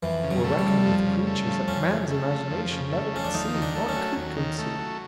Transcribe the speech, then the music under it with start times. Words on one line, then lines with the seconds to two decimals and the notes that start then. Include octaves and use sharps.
We're reckoning with creatures that man's imagination never conceived--nor could conceive.
0.03 F2 E3
0.23 C#3
0.31 F#3
0.44 A3
0.59 G3
0.65 F3
0.86 F2
1.06 C#3
1.27 A3
1.48 F3
1.68 F2 C#4
1.89 C#3
2.10 A3
2.30 F3
2.51 F2
2.72 C#3
2.93 A3
3.14 F3 C#4
3.24 D4
3.34 D#2 D#4
3.55 D#3
3.62 D4
3.75 A3
3.89 C#4
3.96 F#3
4.17 D#2
4.37 D#3
4.58 A3
4.78 F#3